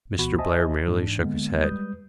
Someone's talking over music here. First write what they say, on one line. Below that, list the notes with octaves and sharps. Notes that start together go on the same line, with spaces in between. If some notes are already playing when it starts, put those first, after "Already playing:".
Mr. Blair merely shook his head.
C2 A#2 E3 B3 F#4 B5
C5 D#5 E5 G#5 A5 D#6
G#2 E3 D4
D3 G#3 A#3 B3
G3 G#3 B4 D#6 G6